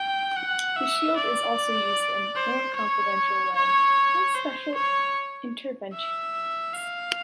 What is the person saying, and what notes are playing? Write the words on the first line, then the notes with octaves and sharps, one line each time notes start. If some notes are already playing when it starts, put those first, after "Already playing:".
The shield is also used in a more confidential way by special intervention units.
Already playing: G5
F#5
E5
D5
C5
C#5
C#5
C5
C#5
E5
F5